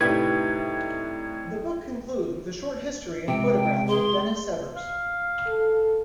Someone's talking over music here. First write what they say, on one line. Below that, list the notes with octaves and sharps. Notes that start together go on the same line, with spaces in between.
The book concludes with a short history and photographs of Dennis Severs.
A2 C3 G3 D#4 E4 B4 G5 G#6
C3 G#3 G5
G#4 C6
F5
A4